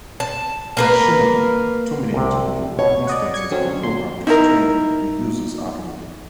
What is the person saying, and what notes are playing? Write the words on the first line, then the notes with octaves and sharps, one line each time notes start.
Additionally, too many individual instances of a program may strain the user's hardware.
A5
A#3 A#4 B4
C2 C3
B2 C#5
D5 D#5 F#5
G#6 C#7
D3 F#3 C4 C#4
C6
D#4 E4 A#4